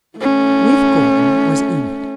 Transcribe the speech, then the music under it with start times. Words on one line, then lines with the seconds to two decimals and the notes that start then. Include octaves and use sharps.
With Gordon was Enid.
0.18 A3 C#4